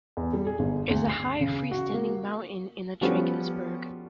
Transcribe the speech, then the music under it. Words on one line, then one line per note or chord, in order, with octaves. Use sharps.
It is a high free standing mountain in the Drakensberg.
E2
G3
G#4
G1
D2
C7
C#3
F#4
A#3
F3 G3 B3 C#4 F#4 A4